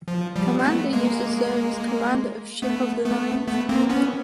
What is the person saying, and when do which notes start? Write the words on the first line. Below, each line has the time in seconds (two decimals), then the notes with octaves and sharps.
Commander used to serve as commander of ship of the lines.
0.08 F3
0.36 F3 G3
0.59 C4
0.64 A3 B3
0.93 G#3 A#3
2.62 A3 B3
3.05 A3 B3
3.47 A3 B3
3.69 A#3 C4
3.89 B3 C#4